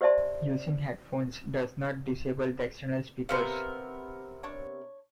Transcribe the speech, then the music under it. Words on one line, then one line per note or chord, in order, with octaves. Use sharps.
Using headphones does not disable the external speakers.
G4 C5 D5 E5 A5 C6
C3 F3 B3 A#4 C5 F5
D4 C#5